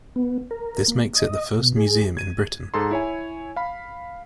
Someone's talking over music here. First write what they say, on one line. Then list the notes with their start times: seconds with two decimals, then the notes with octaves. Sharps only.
This makes it the first museum in Britain.
0.16 B3
0.51 A#4
0.88 A#3
1.15 D#5
1.59 B2
1.76 G#4
2.17 G#6 D#7
2.74 G#2 G#4 A4 A#5 C6
2.91 E4 C#5 G#5
3.56 F5 B5